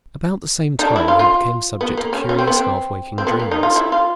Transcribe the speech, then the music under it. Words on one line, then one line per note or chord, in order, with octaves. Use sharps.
About the same time he became subject to curious half-waking dreams.
D#4
D4
E4
F4
F4
B3
A#3
C#4
C#4
C4
B3
C4
C4
B3
A#3
D#4
F4
E4
F4